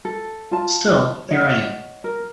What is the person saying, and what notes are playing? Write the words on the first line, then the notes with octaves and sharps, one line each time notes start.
Still, here I am.
A4
F4 A5
C#5 D#5 F#5
A#4